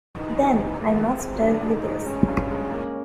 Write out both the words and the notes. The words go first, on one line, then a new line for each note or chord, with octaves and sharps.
Then I must tell you this.
E3 D#4
C3
E3
G#3 A#3
E3
C4
G#3
G2 D4
G#3
D#4
E3
G#3 C#4
G2
G#3
A#3